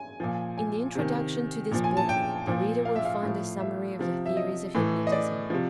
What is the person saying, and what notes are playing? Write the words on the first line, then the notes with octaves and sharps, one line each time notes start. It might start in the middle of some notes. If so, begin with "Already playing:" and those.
In the introduction to this book the reader will find a summary of the theories of hypnotism.
Already playing: G#5
A#2 F3
G#5
C3 D#3
A#2 F3
G#5
A5
G5
A#2 F3
F5
E5
F5
A2 F3
E5
C3 F3
E5
D#5
A2 E3
D#5
D5
C3 F3